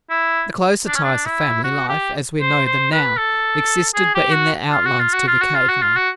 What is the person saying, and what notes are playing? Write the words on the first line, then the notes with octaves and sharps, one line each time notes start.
The closer ties of family life, as we know them now, existed but in their outlines to the cave man.
E4
D4
C#4
D4
E4
F#4
G4
C5
C5
B4
A4
G#4
G4
F#4
F4
F#4
F4
F#4
F4
F#4
F4
F#4
F4
F#4